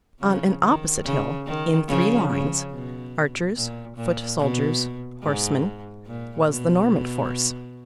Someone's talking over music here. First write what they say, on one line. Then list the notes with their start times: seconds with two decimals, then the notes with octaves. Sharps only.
On an opposite hill, in three lines, archers, foot-soldiers, horsemen, was the Norman force.
0.20 C#3 F3
0.63 D#3
1.04 C#3
1.46 D#3
1.87 C#3 F3
2.30 C#3
2.71 B2
3.55 A#2
3.97 A#2
4.38 B2
5.22 G#2
6.06 A#2
6.48 B2